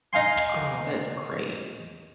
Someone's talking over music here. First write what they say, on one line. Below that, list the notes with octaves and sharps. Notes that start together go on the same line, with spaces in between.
Aw, that's great.
D#4 F5 G#5 C6